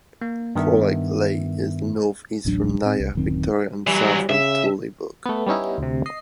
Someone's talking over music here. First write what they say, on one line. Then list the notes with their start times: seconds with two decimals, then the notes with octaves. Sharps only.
Koraleigh is northeast from Nyah, Victoria and south from Tooleybuc.
0.22 A#3
0.55 G2 D#3 B3 E5
2.45 D1 A1 F#3 D4
2.82 A2 C4
3.00 C2
3.15 D1 F#2 D#3 C4
3.87 E3 F#3 G3
4.29 C#3 E5
5.26 A3 B3
5.46 G3 B3 C#4 D#4 E4
5.78 D2 C3
6.06 D#5 C7